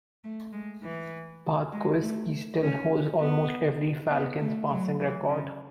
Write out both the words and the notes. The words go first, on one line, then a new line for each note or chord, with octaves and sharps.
Bartkowski still holds almost every Falcons passing record.
A3
G#3
E3
G#3
A3
C#4
B3
B3
A3
F#3
E3
C#3